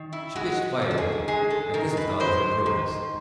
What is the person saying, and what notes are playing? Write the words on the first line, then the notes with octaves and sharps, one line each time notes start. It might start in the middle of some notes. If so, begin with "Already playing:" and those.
She pitched violently, and this retarded her progress.
Already playing: D#3
E4
G#3 F#4
D#3
A4
G#4
G#3 G#4
A4
D#3 A#4
B4
G#3 C5
D#3